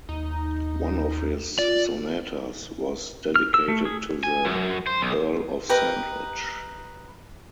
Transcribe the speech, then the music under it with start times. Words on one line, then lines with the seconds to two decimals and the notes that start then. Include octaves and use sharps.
One of his sonatas was dedicated to the Earl of Sandwich.
0.09 D#2 D#4
1.59 F4 D5
3.36 F6
3.54 E6
3.68 A3
3.85 G#4
4.23 G#5
4.45 F#2
4.87 C5
5.01 B1
5.69 G4 A#4 B4 D#5